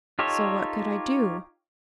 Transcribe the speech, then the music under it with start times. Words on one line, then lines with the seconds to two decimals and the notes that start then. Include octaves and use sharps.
So what could I do?
0.19 D#4 F4 G4 A4 C#5